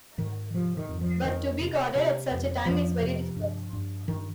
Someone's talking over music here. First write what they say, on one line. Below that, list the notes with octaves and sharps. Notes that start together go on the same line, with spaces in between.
But to be guarded at such a time is very difficult.
G#2 D#3
C3 F3
D#3
F2
F3
F2 D#3
C3
C3
F2
F2 F3
C3
G2
G2
G2 D#3